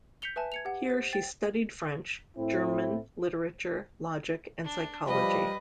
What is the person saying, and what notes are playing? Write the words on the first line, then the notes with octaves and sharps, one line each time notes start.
Here she "studied French, German, literature, logic and psychology".
G6 B6 C#7 F7 G7
B4 E5 G#5 A5
G#6 C#7 F7
G4 F#5
C5
G5 A6
A2 C4 E4
D4
F3 G3 B4 D#5